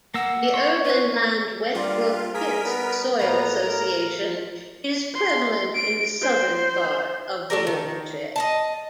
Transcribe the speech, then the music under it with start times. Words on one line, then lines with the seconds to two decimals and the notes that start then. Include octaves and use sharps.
The Urban Land-Wetbrook-Pitts soil association is prevalent in the southern part of the watershed.
0.14 A#3 F#5 E6
0.54 C#5 C6
0.84 B4
1.75 G3 A#3 C4 D4 F4
2.34 G#4 A#4 B6
2.64 B3
3.19 A2 A#3 B3 A#5
3.65 A#4
5.14 C6
5.75 D7
6.21 C5
7.50 A3 D4 G4 A#4
7.67 D#3
8.36 D#5 F#5 A5